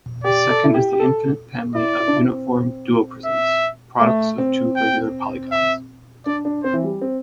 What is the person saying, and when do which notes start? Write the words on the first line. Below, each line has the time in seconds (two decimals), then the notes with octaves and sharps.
The second is the infinite family of uniform duoprisms, products of two regular polygons.
0.24 G4 D5
0.50 A4
0.64 E4
0.74 G4
0.93 G4
0.99 A4
1.75 E4 D5
2.00 E4
2.08 D4
2.16 E4
2.25 C4
3.25 E5
4.00 A3
4.38 C4
4.76 G5
5.51 E5
6.26 D4 D5
6.45 D4
6.64 C4 C5
6.73 E3
6.83 G3
7.01 C4